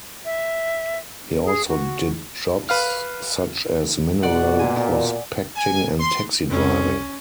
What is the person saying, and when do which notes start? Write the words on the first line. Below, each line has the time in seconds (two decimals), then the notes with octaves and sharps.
He also did jobs such as mineral prospecting and taxi driving.
0.25 E5
1.45 G#4
1.68 F#4
2.69 B4 F5 F6
4.23 B2 D5 F#5
4.59 A#2 G#5
5.56 G#5
6.00 C6
6.50 F2 C#4